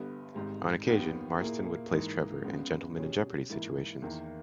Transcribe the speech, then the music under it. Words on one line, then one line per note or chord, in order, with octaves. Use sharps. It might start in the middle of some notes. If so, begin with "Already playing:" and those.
On occasion, Marston would place Trevor in "gentleman-in-jeopardy" situations.
Already playing: G1 G2 G3 B3
G#1 G#2 G3
D#2 D#3 G3 B3
A#2 A#3 E4 G#4
G#2 E3 A#3 D#4
C#2 C#3 G#3 B3
B2 G3 C#4 G#4
G#2 E3 A#3 E4
E2 D#3 A#3 E4